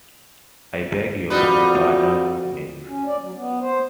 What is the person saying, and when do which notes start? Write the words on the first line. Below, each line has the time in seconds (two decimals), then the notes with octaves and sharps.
I beg your pardon, miss!
1.30 F2 G3 D#4 F4 F#4 B4
2.87 C#4
3.06 D5
3.21 F#3
3.36 B3
3.61 C5